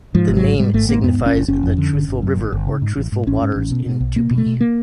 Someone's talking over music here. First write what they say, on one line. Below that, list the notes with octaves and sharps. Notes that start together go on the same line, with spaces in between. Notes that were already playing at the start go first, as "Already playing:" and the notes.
The name signifies "The truthful river", or "truthful waters" in Tupi.
G#2 F3
G#1
F#3
G#2
G#2 G3
G#1 A3
G#2 A#3
F2 B3
F#1
C#4
F#1
F#1 C#4
F2
D3
G1
G1
F#2
G1
G1
C#3
G#2
A1
G#2
A1 C#4
G#2
A1
B2
B2
B1
B2 A#3
B2
A3
B2
A#3